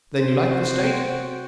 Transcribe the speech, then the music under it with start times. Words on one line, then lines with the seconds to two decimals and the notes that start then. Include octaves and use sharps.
"Then you like the State?"
0.19 C3 C5
0.48 F#4
0.78 G5
1.08 F#4